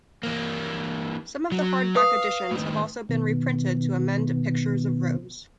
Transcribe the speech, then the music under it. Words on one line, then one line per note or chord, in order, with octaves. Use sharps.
Some of the hardback editions have also been reprinted to amend pictures of Rose.
E3 A#3
F#3
B4 F5 D#6
A2 D#3
B2 D#3 B3